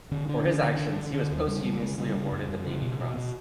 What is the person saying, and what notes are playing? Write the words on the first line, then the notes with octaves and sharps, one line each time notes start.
For his actions he was posthumously awarded the Navy Cross.
D3 C#4
D3 D4
D3 C#4
D3 C#4
D3 D4
D3
D3 C#4
D#2
C#3 G3
C#3 G3
C#3 G#3
C#3 G3
C#3
F#2
F#2
C#3
B2
B2
B2